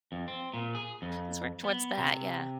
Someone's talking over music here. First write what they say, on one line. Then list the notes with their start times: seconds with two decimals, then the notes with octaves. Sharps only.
Let's work towards that. Yeah.
0.12 F2
0.28 C4
0.54 A#2
0.75 G#4
1.02 F2
1.64 B3
1.98 C3